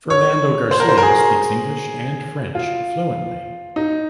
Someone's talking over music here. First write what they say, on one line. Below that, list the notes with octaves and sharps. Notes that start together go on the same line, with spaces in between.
Fernando Garcia speaks English and French fluently.
C#5
C5
A#4
C5
A#4
G#4
F4
D#4